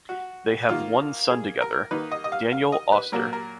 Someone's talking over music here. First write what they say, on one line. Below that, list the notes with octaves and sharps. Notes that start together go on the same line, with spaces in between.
They have one son together, Daniel Auster.
F#4
D#3 A#3 F4
G#4
A#4
D#3 A#3 D#4 B4
D#5
D#5
F5
F5
D#5
B4
A#2 F#3 A#3 A#4
A#4